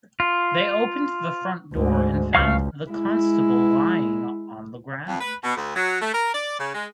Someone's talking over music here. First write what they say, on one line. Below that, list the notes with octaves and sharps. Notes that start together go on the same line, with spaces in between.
They opened the front door and found the constable lying on the ground.
F4
D2 G#2
C#2 F5 C#6 F6
G#3 E4
F2
B4
B2
D2
F#3
A3
A#4
D5
C#3
G#3